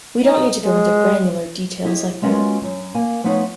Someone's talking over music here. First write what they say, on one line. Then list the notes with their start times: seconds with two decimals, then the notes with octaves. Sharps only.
We don't need to go into granular details like that.
0.24 D#4
0.64 G#3
1.85 E4 G4 G#4 D#5
2.22 G#3 B3 C#4 F4 F#4 A#4
2.63 F#2
2.94 A#3 A#4 G#5
3.24 F3 A3 B3 D#4 C5 C#5